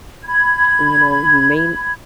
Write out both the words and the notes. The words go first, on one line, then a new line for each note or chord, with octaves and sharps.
And, you know, you may
B5 G#6